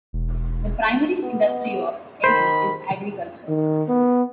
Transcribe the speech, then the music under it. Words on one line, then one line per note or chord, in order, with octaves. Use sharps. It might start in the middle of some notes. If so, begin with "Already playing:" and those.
The primary industry of Elie is agriculture.
E1
B3
D#3 C5 B5
D#3
B3